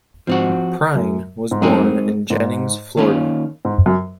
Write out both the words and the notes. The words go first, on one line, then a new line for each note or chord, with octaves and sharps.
Prine was born in Jennings, Florida.
G#2 F3 C4 F#4
F#2
G#2
F#2 G#3 C4 D#4 A#4
G#2
D#3 A#3 C#4 F4
G#2
F#2